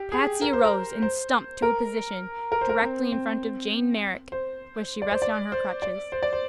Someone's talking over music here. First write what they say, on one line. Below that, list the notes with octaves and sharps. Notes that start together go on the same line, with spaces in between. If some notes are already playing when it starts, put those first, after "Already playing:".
Patsy arose and stumped to a position directly in front of Jane Merrick, where she rested on her crutches.
Already playing: G4
G#4
A#4
C5
A#4
C5
A#4
A#4
C5
A#4
C4
C4
C5
D5
C5
D5
C5
D5
C5
D5
C5